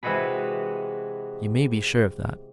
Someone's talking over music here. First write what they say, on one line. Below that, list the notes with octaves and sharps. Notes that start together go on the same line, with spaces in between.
You may be sure of that.
C3 E3 G#3 F#4 G#4 B4